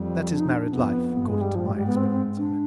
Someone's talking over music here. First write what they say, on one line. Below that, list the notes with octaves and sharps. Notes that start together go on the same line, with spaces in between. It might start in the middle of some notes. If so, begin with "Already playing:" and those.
That is married life, according to my experience of it.
Already playing: F2 G3
D4
D#4
D4
F2 B3
G2 B3
G#3
G3
G#2 F3
G3
G3
B3
C4
C4
D4